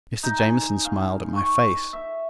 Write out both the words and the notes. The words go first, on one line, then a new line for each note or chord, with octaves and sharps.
Mr. Jamieson smiled at my face.
D#4
G#5
F5
C#6
E5